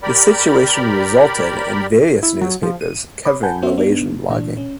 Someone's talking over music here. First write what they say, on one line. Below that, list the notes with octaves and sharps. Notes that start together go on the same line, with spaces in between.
The situation resulted in various newspapers covering Malaysian blogging.
G4 A#4 D5 B5
E4
F#3
F3
D#7
C#5 B5 D6 D#6
F#5 G#5 A5 B5 G6
B3 C#4 F#4 C5 E5
B3 D4 D#4
A#2 E3 D4
C#4